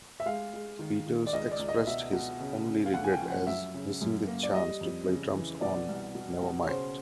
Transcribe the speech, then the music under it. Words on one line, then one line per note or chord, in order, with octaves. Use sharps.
Peters expressed his only regret as missing the chance to play drums on "Nevermind".
E5
G#3 F5
G#3
D#3
D#3
D5
C#2 D#5
D5
C#2
D#5
B2 E5
B2
C#3
C#3
F5
D2 F#5
G#5
G5
F3
F#5
F#2 E5
C#3
F#2
A#3
D5
G3 D#5
F2
C#3
E3
B2 D5
C2
B2
B2
C#5
C#3 C5